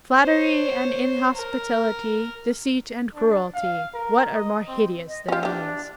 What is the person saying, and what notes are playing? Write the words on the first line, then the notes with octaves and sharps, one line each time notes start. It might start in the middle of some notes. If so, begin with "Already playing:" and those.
Flattery and inhospitality, deceit and cruelty,--what are more hideous than these?
C5 C#5
A#4
D4
F5
A#4
D#5
C4
D#5
C#4 F4 G4
E3 D4 G4